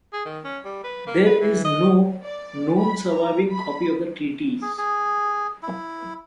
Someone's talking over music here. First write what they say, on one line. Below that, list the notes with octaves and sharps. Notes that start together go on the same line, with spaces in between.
There is no known surviving copy of the treaties.
G#4
D#3
C#4
G3
B4
A#3
B4
E3
D#5
D5
B5
A#5
B5
G#4
G#4
E4